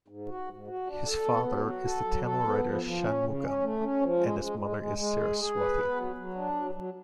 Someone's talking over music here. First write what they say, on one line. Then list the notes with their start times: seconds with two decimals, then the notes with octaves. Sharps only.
His father is the Tamil writer Shanmugam and his mother is Saraswathi.
0.08 G#2
0.28 F#4
0.48 G#2
0.67 F#4
0.87 D4
1.06 A4
1.26 B3
1.45 F#3
1.65 F#4
1.84 A4
2.04 F#3
2.24 A4
2.44 B3
2.63 F3
2.83 F3
3.02 C#4
3.22 C#3
3.42 C#4
3.61 A3
3.81 C#4
4.01 F3
4.20 G#3
4.39 G#3
4.59 G#3
4.78 G#3
4.98 G#3
5.18 G#4
5.38 G#4
5.56 B4
5.76 B3
5.96 F#3
6.16 F#3
6.35 D4
6.55 F#3
6.75 F#3